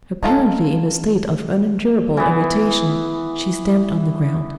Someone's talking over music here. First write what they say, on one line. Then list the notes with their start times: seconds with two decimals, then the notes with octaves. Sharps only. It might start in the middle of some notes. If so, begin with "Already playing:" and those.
Apparently in a state of unendurable irritation, she stamped on the ground.
0.23 D#4 F4 G#4 A4
2.17 E3 B3